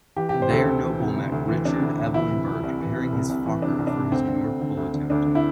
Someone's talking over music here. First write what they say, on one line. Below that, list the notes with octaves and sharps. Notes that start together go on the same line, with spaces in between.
There Nobile met Richard Evelyn Byrd preparing his Fokker for his North Pole attempt.
E3 G4
G4
C3
C5
D2 A4
D2
E3
C3
D2
D2
E3
C3 D4
D2
D2
E3 E4
C3
C2
C2
E3
C3
C2
C2
E3
C3 D4
C2
D4
C2
D2 C4
D3
D2
D3
D2
D3
D2 D4
D3
E4